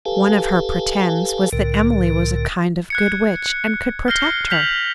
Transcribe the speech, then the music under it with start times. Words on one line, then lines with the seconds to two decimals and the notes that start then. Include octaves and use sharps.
One of her "pretends" was that Emily was a kind of good witch and could protect her.
0.06 G4 A4 B4 F5 G#5 A5
1.53 C2 A2 D3 A#4
2.90 F#6 G#6 C#7
4.08 F6 G6 A#6 C7 G7
4.50 F6 G6 B6 F7 F#7